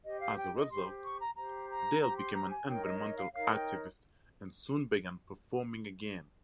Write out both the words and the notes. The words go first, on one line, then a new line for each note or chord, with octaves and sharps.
As a result, Dale became an environmental activist and soon began performing again.
G4 C5 D#5
F5
G5
D#5
G4 C5 C6
C#6
A#5
G4 C5 A#5
A#5
G4 C5 A#5
C6
A#5
G#5
D#4 A#4 C#5 G5
D#5
D#5
F5
D#4 A#4 C#5 F5
G5